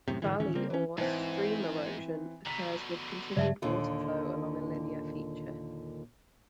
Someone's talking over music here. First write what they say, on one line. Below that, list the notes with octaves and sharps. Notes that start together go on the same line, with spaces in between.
"Valley" or "stream erosion" occurs with continued water flow along a linear feature.
F#2 A2 C3
G#2 D3 E3
D1 D#3 E3 C#4
C#3 G3 A#3 C4
E3 C#4
G#2 E3 C4 D#4 C5
B2 D3 A#5 B6
G2 C#3 F#3 D5 E5 A5
D#2 A#2 D3